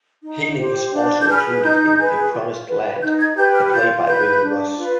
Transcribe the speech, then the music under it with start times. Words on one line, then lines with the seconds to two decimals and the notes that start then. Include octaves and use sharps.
Haining is also included in 'A Promised Land', a play by Raymond Ross.
0.23 D#4
0.58 G4 C5
0.93 D4 G6
1.22 G6
1.28 G#4 B4 F6
1.62 D#4 G6
1.97 G#4 B4
2.32 F4
2.67 B4
3.02 D#4 G6
3.19 G#6
3.36 G4 B4 G6
3.54 F6
3.72 F4 G6
4.06 B4 G6
4.41 D4
4.77 F4 B4